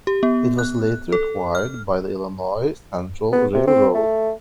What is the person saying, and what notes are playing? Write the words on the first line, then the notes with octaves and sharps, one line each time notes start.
It was later acquired by the Illinois Central Railroad.
G4
B3
F#6
A4
F6
B3
C3
C4
A3